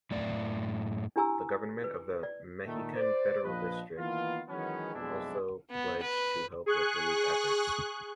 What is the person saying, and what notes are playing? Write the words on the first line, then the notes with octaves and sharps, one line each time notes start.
The government of the Mexican Federal District also pledged to help with relief efforts.
F#2 A2 D5
D4 E4 G4 G#5 A#5 E6
B4
D5
A#2 D#3 A3
C5 D5
A#1 F3 B4 D#5
D#3 E3 A#3 B3 F4
D#3 E3 F#3 G#3 B3 C#4
B1 F2 B2 G#3 D4 E4
B3
B4
G#4 C#6 F#6